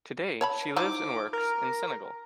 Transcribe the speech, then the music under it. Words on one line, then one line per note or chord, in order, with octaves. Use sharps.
Today she lives and works in Senegal.
C#5 A5 B5
F3 D#4 E4 D6
A#4